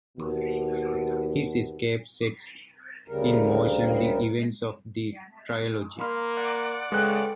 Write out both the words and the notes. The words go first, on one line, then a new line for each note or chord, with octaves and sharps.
His escape sets in motion the events of the trilogy.
D#2 B2
D2 C#3 G3 A#4
A#3 B5 C6 F6
D5 F#5
C#3 G#3 A4 B4 G5 F#6